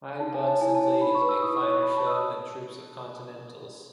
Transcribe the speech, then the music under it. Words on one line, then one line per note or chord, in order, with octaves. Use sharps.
High bucks and ladies make finer show than troops of Continentals.
D#4 A5
G#5
C#5
A5
E4 G#5
A5
C#5
D#4 B5
C#6
B4
E6
E4 D#6
C#6
C#5
C#6
C#5 B5
A5
F#4 E6
D#6